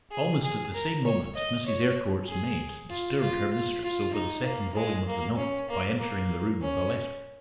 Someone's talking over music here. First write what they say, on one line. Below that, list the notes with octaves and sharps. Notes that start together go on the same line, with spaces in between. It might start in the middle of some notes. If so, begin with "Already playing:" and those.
Almost at the same moment Mrs. Eyrecourt's maid disturbed her mistress over the second volume of the novel by entering the room with a letter.
G#4
G#4
A#4
C#5
D#5
C#5
G#4
F4
F4
F4
F4
D#4
A#3
G#3
A#3
C#4
A#3
A#3
C#4